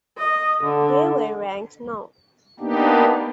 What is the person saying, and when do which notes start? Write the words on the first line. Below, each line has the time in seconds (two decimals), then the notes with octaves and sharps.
They were ranked no.
0.18 D#5
0.63 D3
2.60 A#3 B3 D4 D#4 G4